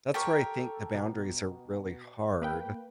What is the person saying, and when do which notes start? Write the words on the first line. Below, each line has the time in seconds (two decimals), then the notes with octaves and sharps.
that's where, I think, the boundaries are really hard,
0.14 G4 A4 A#4 C#5
0.95 B2
2.42 A#3 B4 G5